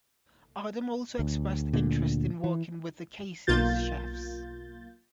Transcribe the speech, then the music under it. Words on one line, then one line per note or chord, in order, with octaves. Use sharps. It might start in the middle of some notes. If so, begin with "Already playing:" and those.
Adam also expressed interest in working with The Kaiser Chiefs.
D2
A#2 D3
E3
B1 A#3 F4 G6 A6